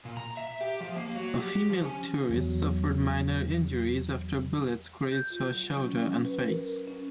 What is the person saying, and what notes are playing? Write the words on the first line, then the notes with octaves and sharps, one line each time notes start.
A female tourist suffered minor injuries after bullets grazed her shoulder and face.
A#2
A#5
E5
G4
F3
A#3
F#3
G4
F3
C#4
E2 F#3
G6
F4
F#3
C#4
B4
A#4
C#4